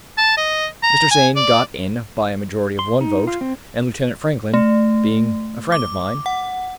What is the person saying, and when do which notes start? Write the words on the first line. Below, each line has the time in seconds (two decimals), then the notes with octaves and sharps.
Mr. Sain got in by a majority of one vote, and Lieutenant Franklin, being a friend of mine.
0.18 A5
0.37 D#5
0.83 A#5
1.11 G#5
1.36 D5
2.79 C6
3.01 D#4
3.27 F4
3.41 C4
4.54 A3
5.72 D6
6.26 F#5